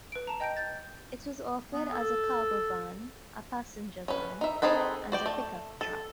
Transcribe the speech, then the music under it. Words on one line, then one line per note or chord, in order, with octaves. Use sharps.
It was offered as a cargo van, a passenger van, and a pickup truck.
B4 D7
A5 A#5
D#5 G5 G6 A#6 D7
G6 A6
B3
A4
C#4 B4
D#4 E5
C4 D#4 G#4 A4 B4
F#4 D5 G5
A3
A4